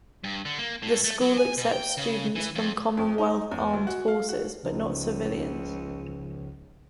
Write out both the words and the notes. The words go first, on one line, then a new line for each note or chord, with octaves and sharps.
The School accepts students from Commonwealth armed forces, but not civilians.
G2
D3
A#3
A2
A3
F#3
G#5
B2
G5
C#3
E3
F2
F2
D#4
E2
D2
F#4
F5
F#4
C#2 C#3 F3 D#4